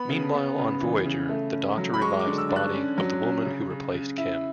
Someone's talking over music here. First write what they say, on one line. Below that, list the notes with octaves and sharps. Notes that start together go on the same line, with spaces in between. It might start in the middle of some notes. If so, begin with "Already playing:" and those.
Meanwhile on "Voyager", the Doctor revives the body of the woman who replaced Kim.
Already playing: B3 B5
C#3
B3
C#3
E3
C#3
A3
C#4
F#3
B5
G#3 C#6
D6
D3
E6
D4
F#6
C#4
F#3
C#4
C#3
C#3
C#3
E4